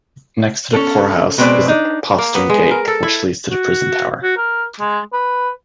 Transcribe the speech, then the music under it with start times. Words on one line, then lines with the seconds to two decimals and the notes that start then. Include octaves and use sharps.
Next to the poorhouse is the Postern Gate, which leads to the Prison Tower.
0.73 C#4 A4
1.38 B2 G#3 C4 B4 D5
1.68 D4 D#4
2.18 A#3
2.35 B3
2.50 G#3
2.71 A#4
2.88 A4
3.03 E4
3.51 F#4
4.22 F#4
4.37 A#4
4.80 G#3
5.13 B4